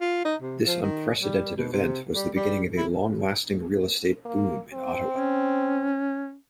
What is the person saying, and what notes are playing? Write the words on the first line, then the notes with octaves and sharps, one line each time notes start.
This unprecedented event was the beginning of a long-lasting real estate boom in Ottawa.
F4
D#4
C3
F3
D#3
G3
B2
C3
G3
G3
E4
A#3
C4
C#4